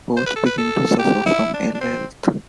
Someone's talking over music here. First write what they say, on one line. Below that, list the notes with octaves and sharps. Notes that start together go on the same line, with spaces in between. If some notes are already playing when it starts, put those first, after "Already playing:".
Both begin to suffer from ill health.
C5
B4
A4
B4
A4
G4
E4
D4
D4
C4